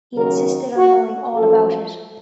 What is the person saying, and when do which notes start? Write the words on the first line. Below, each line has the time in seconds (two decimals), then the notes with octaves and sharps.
He insisted on knowing all about it.
0.15 D#2 C#3 F#3 A#4
0.76 F#4
1.35 F#2 F3 A4